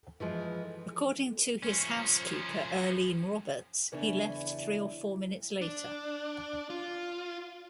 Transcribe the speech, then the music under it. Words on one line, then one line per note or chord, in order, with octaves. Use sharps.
According to his housekeeper Earlene Roberts, he left three or four minutes later.
E3 F3 G#3
F3 C#4
E2 C#3 E3 C#4 D4 E4
D4
F4